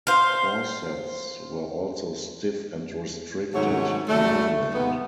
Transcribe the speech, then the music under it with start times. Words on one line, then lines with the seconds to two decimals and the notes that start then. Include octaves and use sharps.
Corsets were also stiff and restricted movement.
0.07 C5 F5
3.54 G#2 C3 D#3 F#3 A3 C#5
4.08 C#3 F#3 G3 A3
4.74 D#2 G#2 C3 B3